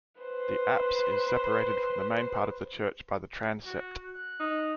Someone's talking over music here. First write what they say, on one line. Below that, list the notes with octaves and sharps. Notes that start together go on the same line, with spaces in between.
The apse is separated from the main part of the church by the transept.
B4 C5
F#4
F#6
D#4